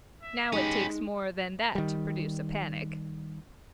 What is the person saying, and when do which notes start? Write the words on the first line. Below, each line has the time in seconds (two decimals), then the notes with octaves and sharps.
Now it takes more than that to produce a panic.
0.22 E5
0.52 G#3 C#4 D#4 G4 B5
1.75 D#3 G3